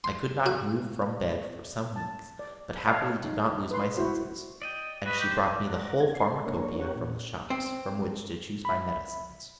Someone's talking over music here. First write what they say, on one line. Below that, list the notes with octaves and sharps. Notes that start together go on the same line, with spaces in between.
I could not move from bed for some weeks, but happily did not lose my senses, and she brought me the whole pharmacopoeia from the shops, from which to choose my medicines.
C6
F#4
A5
D5
C#5 D#5 F5 A5
D#4
B4 C6
E4 F#4 C5
D5 D#5 G5
F#4 B4 D#5
G4
C5
D5 F#5 A#5
C4 G#6
C6
A#3 D4 A#4 C#5
C#4 G4 A#4 C#5 F#5
A#2
C4
E5 B5